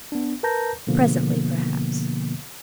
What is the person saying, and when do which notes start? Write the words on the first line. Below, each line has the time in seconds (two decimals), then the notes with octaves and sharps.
Presently, perhaps.'
0.12 B3 D4
0.43 A#4 B4 A5 A#5 G6 A#6
0.87 B2 D3 F3 A#3 B3